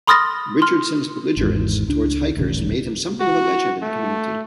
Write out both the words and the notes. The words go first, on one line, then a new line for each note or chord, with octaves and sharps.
Richardson's belligerence toward hikers made him something of a legend in the community.
B5 C6 D#6 F6 A6 A#6
C6 F6
G#1 E2 G#2
C#2 D4
D#1 A1 C#3
F#4
A3